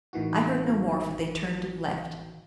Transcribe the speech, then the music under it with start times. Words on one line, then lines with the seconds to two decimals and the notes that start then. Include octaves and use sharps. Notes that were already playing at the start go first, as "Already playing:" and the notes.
I heard no more, for they turned and left.
0.13 A1 D#3 E3 F#4